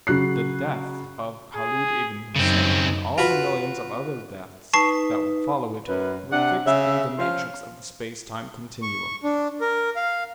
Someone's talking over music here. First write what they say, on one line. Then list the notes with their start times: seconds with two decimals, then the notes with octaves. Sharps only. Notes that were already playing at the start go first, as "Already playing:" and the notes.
The death of Khalid ib'n Hussein, and all the millions of other deaths that would follow it, were fixed in the matrix of the space-time continuum.
0.07 C#3 F#3 F#6 C7
1.56 G#4
2.36 F#2 C#3 C4 D#4
3.18 F4 F#4 B4
4.74 D#4 B4 A5 C#6 C7
5.88 F#2 B4
6.32 C3 D4 F#5
6.66 C#3 E5
7.18 F3 C#4 F4 F5
8.82 C#6
9.23 D4
9.61 A#4
9.96 F5